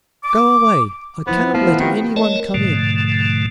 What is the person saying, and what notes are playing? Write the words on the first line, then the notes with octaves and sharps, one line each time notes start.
"Go away; I cannot let any one come in."
D6
F3 B3 E4 C5
F3 A3 B3 E4
D#3 E4 B4
D#3 C4 F4 G4
A3 A#4 C#5 D#5 A5
G#2 B2 D3 F3 A3